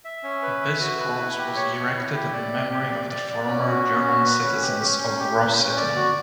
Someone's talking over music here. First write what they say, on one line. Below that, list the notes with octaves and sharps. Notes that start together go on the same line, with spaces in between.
This cross was erected in memory of the former German citizens of Rossitten.
E5
C#4
B4
E5
F#4
B4
E4
G4
C#5
C#5
E4
G4
D5
G4
G4
D5
D5
D5
C#4
F#4
C#4
F#4
B4
C#4
G4
C#4
C#4
G4
B4
C#4
D5
F#4